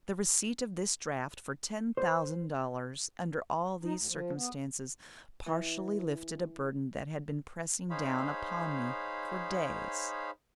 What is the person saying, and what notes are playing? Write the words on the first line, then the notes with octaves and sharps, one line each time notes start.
The receipt of this draft for ten thousand dollars, under all these circumstances, partially lifted a burden that had been pressing down upon me for days.
C5
D#4
D2
F3
B3
E3
D#4 G#4 C5 C#5 F5 B5